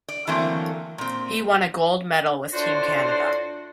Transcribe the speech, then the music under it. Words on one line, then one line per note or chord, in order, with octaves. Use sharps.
He won a gold medal with Team Canada.
D5
D3 E3 F#3 A3 A#3 C4
A#2 C4
A2 D4 F4 F#4 C5 D5